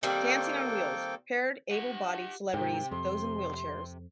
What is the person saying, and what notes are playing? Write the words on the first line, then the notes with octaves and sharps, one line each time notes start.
"Dancing on Wheels" paired able-bodied celebrities with those in wheelchairs.
D#3 G3 A#3 C4 A4 G5
G4 F#5
G#2 C3 D#3 G5
F2 C6